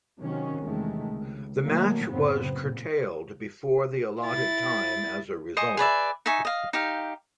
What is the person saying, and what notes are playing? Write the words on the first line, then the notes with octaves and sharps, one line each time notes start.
The match was curtailed before the allotted time as a result.
C3 D#3 F#3 C#4
E2 C3 D#3 G#3 A3
C#2
B2 D#3 F#3 A3 A#3
F#1 F#2 A2 C#3 B3 C4
A#2
E4 A6
C5 D#5 G#5 C#6
G#4 B4 D5 E5
D#4 E5 G#5 C#6
D#5 F5
D#4 G4 F5